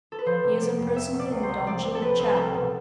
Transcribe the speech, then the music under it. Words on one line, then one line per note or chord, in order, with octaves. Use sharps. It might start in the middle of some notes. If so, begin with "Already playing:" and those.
He is imprisoned in the dungeon of Chatham.
A4
B4
F3 C5
C3
B3 D5
F2
A3 E5
B2
D5
C2
C5
C2
F3 D5
C3
A4
C4 B4
C2
G3 A4
B2